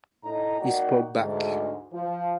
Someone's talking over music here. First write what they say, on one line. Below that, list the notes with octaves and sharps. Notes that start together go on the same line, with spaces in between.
He spoke back.
A2 D#4 A#5
A#3 D#4 F#4 D5 F#5 G5
D2 G#2
F3